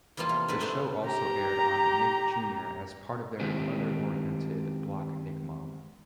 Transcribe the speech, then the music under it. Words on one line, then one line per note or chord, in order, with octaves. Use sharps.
The show also aired on Nick Junior as part of their mother-oriented block NickMom.
E2 F3 G3 A#3 F4 A5
C3 A#5
G#2 D3 A#4 B4 D5 A5
A3 B3 D4 C5 F5
G4 A#5
D#3 G#3 C4 E4 G4 B4